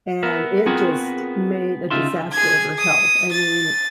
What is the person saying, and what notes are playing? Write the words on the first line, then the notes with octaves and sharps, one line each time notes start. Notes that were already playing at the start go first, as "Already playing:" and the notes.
And it just made a disaster of her health, I mean,
B3 A#4 E5
B3 C4 F4 F#4 G#4 A#4
C#3 D#4 F4 E5 C6
G#4 G#6
D#6
A6